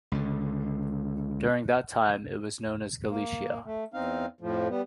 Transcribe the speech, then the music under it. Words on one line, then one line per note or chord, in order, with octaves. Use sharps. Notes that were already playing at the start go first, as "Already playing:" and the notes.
During that time it was known as Galicia.
C#2 D3
A#3
A3
E2 C4 D#4 F5
F2 A2 F3
G3 B3